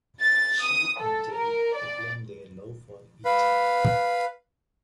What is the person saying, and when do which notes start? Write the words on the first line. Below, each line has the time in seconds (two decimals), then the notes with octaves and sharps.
She and Jerry proclaim their love for each other.
0.22 A6
0.62 D#6
1.00 A4
1.33 A#4
1.77 D5
3.25 B4 F5 B5